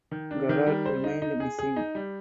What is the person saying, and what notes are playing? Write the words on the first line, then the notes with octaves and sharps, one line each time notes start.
Garat remained missing.
D#3
D4
D#3
G3
C5
D#4
D#4
G#4
G#4
D#4
G3